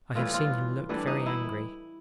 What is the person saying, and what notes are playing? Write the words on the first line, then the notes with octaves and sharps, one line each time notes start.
I have seen him look very angry.
A2 E3 G3 F4
F4
A2 E3 G3 D4
D#4
E4